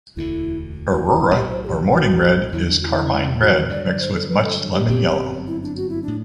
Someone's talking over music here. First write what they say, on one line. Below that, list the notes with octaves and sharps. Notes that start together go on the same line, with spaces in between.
Aurora or morning red is carmine red mixed with much lemon yellow.
E1 D2 D3 E4
F#4
F#4
E4
B1 A2 F#3 G4
C5
A4
G4
F#4
E2 D3 G3 E4
D4
F#4
E4
F#4
G2 D3 F#3 D5
D5
C5
A4
B4
A4
G4
G1 F#2 F#3 C4 G4
E4
D4
F#4
E4
D4
A2